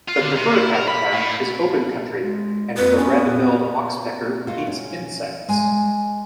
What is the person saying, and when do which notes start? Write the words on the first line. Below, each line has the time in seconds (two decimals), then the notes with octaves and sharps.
The preferred habitat is open country, and the red-billed oxpecker eats insects.
0.09 F4
0.21 D3
0.37 C3
0.55 E4
0.75 A#4
0.88 B5
1.12 A2
2.19 G#3
2.77 F2 B4
2.97 B3 C#4
3.22 A#2
4.47 A3 D#4 F4 F#4
4.67 C#4
5.48 G#3 G#5